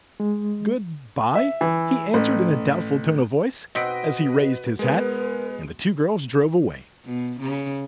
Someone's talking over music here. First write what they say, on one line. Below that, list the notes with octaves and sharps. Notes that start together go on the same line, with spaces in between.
"Good-by," he answered in a doubtful tone of voice, as he raised his hat; and the two girls drove away.
G#3
E5
E3
A1
B2 C4 B4 D#5 F#5 B6 D7
G#3 B3 A#4 B4
B2
C#3